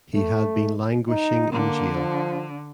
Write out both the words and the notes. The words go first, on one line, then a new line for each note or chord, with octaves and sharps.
He had been languishing in jail.
A3
D#4
D3 A#3
F3